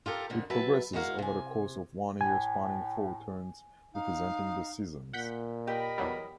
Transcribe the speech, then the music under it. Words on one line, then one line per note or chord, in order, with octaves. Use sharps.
It progresses over the course of one year spanning four turns representing the seasons.
F4 G4 A4 A#4
F2 A#2 D3
F#3 B4 E5 A5
G#3 E4 F#4 A#4 F5
C3 G#5
A2 G#5
D#4 F5
A#2 F#5 G6 B6
G4 A#4 D#5 B5
E2 F#3 G3